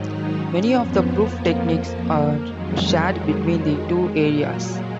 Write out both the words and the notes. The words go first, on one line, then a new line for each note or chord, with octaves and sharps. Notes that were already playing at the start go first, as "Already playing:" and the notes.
Many of the proof techniques are shared between the two areas.
Already playing: G#2 D#3 F#3 D#4
C#4
F2 F3 B3
A#3
A#3
F2 D#3 F#3 G#3
G#3
A#2 F#3 A#3
G#3